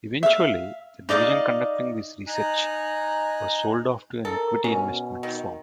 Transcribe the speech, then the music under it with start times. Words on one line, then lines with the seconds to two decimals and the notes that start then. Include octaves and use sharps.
Eventually, the division conducting this research was sold off to an equity investment firm.
0.23 E5 F5
1.09 D#4 D5 D#5 F5
2.27 D#4 G#5 A#5 F#6
4.25 A4 A#4
4.64 B2 C#4
5.23 D#3